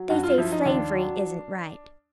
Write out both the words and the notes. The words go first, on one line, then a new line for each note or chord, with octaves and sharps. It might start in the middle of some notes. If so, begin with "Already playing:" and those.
"They say slavery isn't right."
Already playing: F#3
G2 F#4
F4
F3 E4
D#4
D#2 D4
F#3